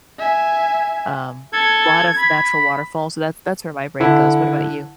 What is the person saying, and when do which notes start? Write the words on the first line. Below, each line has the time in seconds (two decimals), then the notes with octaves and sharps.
um, lot of natural waterfalls, so that's that's where my brain goes. What about you?
0.19 E5 G#5
1.53 A4 G#6
2.18 B5
4.00 D3 E4